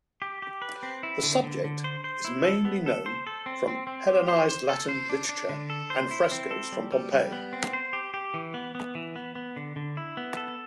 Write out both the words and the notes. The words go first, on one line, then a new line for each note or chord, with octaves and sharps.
The subject is mainly known from Hellenized Latin literature and frescoes from Pompeii.
G4
G4
B4
C4
E4
D3
D3
D3
C5
C5
E4
A4
B3
A4
C5
A4
C4
C4
C4
G4
C5
C5
A4
C5
D4
D4
D3
A4
C5
E4
C4
A4
G3
G3
G3
B3
C4
C5
G4
G4
E3
B3
B3
E3
B3
B3
D3
D3
E4
B3
A4